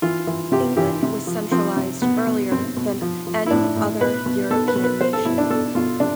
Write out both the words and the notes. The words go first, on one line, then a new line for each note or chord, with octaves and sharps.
England was centralized earlier than any other European nation.
E3 F4
E3
C3 G4
E3 G4
C3
F3
F3 C4
C3
B2 B3
B2
B2 C4
B2
F3
F3
E4
A2 D4
A2
B2 B4
B2
B2 A4
B4
B2
B4
B2 C5
A4
B2 E4
D4
B2 A4
B2 F4
C3 D4